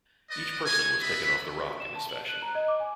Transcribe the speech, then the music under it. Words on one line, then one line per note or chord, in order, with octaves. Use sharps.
Each person was taken off the rock in this fashion.
B4 D5 D#5
C#5 G#5
B3 D#5 E5 B5
E7
A5
F#7
F#6
A#5
D#5
D6
G#5